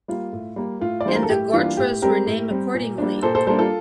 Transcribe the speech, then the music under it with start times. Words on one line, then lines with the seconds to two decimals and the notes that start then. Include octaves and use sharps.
And the gotras were named accordingly.
0.08 G3 A#3 F4
0.33 A2
0.56 G3 A#3
0.81 A2 F4
1.01 D5
1.05 E3 G3 A#3 D4 C5
1.15 A#4
1.23 A4
1.29 A2 G4
1.53 E3 G3 A#3 D4 F4
1.77 A2 G4
2.02 G3 C4 G4 A#4
2.26 A2
2.51 G3 C4
2.74 A#2
2.98 G3 A#3 D4
3.22 A#2 A4 C5
3.35 A4 C5
3.47 G3 A#3 D4 A4 C5
3.59 F4 A4